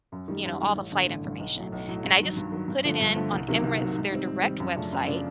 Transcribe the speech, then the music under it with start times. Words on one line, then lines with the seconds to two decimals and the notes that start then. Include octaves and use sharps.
you know, all the flight information. And I just put it in on Emirates, their direct website,
0.12 F#2
0.28 D#3 G3
0.45 F#2
0.61 D#3 G3
0.76 A1
0.92 G2 D3
1.08 A1
1.25 G2 D3
1.40 B1
1.56 A2 F#3
1.72 B1
1.88 A2 F#3
2.04 G2
2.20 D#3 F#3
2.37 G2
2.52 D#3 F#3
2.68 G2
2.85 D3 F3 A3
3.00 G2
3.16 D3 F3 A3
3.32 C2
3.48 C3 D#3 F#3 A#3
3.64 C2
3.80 C3 D#3 F#3 A#3
3.96 G#2
4.12 D#3 G3 C4
4.28 G#2
4.43 D#3 G3 C4
4.60 F#2
4.76 C#3 F3 A3 D4
4.92 F#2
5.08 C#3 F3 A3 D4